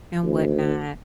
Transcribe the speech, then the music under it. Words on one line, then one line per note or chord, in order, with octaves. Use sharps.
and whatnot.
D2